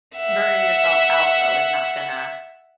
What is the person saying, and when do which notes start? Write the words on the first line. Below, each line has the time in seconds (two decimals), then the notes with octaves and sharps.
burning yourself out though is not gonna
0.16 E5 F#5